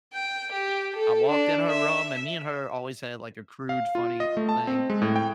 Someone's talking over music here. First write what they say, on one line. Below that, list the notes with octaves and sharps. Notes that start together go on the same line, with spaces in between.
I walked in her room and me and her always had, like, a crude, funny thing
G5
G4
A4
D4
E5
F5
F4
D#5
A3
A5
C4
G#3
A2
G5